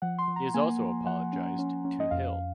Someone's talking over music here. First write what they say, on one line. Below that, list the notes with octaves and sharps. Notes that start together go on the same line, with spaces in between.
He has also apologized to Hill.
F3 F#5
C6
F3
A#5
A#3 G#5
F3
F3 F#5
C#4
C#4
C#4
D#5
F2 F5